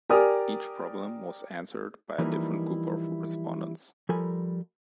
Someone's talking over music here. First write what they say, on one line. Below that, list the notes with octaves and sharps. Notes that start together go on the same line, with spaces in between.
Each problem was answered by a different group of respondents.
G4 A#4 D5 G#5 D#6 F6
E3 F3 G3 A#3 D#4 E4
F3 G3 A4 A#4 G#5 B5